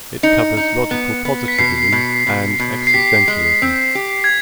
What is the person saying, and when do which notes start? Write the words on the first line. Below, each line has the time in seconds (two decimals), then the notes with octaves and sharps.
It covers Logical positivism and Existentialism.
0.23 D#4 C#7
0.57 D#4
0.91 B3
1.25 B3
1.48 B6
1.58 B2 C7
1.92 B2
2.27 B2
2.60 B2
2.87 C7
2.94 G4 B6
3.28 G#3
3.62 C4
3.95 G4
4.24 G#6